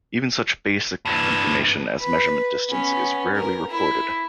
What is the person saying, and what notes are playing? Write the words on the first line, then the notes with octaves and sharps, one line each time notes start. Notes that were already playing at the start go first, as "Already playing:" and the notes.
Even such basic information as measurement distance is rarely reported.
G2 E3
B4
B3 C#4
A#4
E4